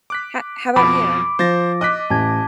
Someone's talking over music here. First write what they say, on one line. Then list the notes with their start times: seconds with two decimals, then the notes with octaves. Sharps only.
Ho how 'bout you?
0.10 D6 F#6 B6
0.76 F2 B2 F3 B5 D6 D7
1.39 F3 C5 A6 A#6
1.81 D#5 D6 F#6 B6
2.10 A1 G#5 A5 G#6